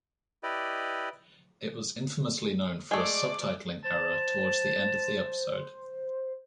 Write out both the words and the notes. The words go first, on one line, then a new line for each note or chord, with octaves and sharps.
It was infamously known for a subtitling error towards the end of the episode.
E4 G4 B4 D5 D#5
G#3 A3 D5 D6
C5 A5